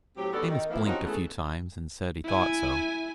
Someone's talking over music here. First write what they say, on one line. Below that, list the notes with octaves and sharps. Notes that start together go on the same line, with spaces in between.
Amos blinked a few times and said he thought so.
A2 F#3 C4 G4
D#3 G3 B3 F#4 A4 D5
D#3
E3 F3 A#3 B3 E4
F3 C4 C#4 D#4 F#4 G4
E3 A3 B3 C#4 G#4 A4
E4 G#5